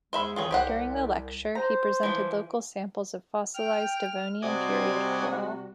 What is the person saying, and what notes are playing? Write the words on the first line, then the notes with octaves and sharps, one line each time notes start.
During the lecture he presented local samples of fossilized Devonian period coral.
E2 G#3 C5 E5 B5
F2 D#3 E3 F4 G#4 C#5
C2 G4 C5 F#5
C5 A#5
E3 F3
G5 F6
C3 G3 F#4 C5 D5 D#5 G#5